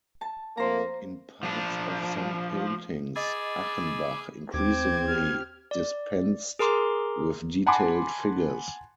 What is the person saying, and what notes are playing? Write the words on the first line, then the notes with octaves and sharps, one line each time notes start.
In parts of some paintings, Achenbach increasingly dispensed with detailed figures.
A5
F2 A3 A#3 C5 A#5
F3 D4
G#4 D#5 B5 D6 E6 A6
D#2 C4 D6 G#6
G4 F6
D5
G#4 A#4 A#5 C6 D6
F#5 G#5 A5 B5 C6 D6